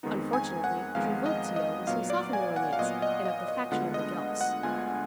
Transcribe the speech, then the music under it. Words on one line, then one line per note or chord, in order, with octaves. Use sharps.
Unfortunately Trivulzio was himself a Milanese and of the faction of the Guelphs.
F2 D#3 G#3 B3 D#4
G#5
F#5
F2 D#3 G#3 B3 D#4 F5
D#5
D#5
A#2 F#3 B3 F5
D5
G#5
F#5
F5
A#2 F#3 B3 D#5
D#5
D#5
D#5
D2 D3 G#3 B3 F4 F#5
D#5
F#5
D2 D3 G#3 B3 F4 G#5